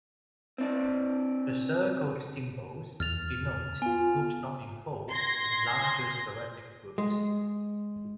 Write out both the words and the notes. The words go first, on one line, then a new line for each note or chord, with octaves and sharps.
The circled symbols denote groups not involved in larger sporadic groups.
C4 D4
E2 F6 A6 F7
B3 F4 G#5
C6 G#6 A#6
G#3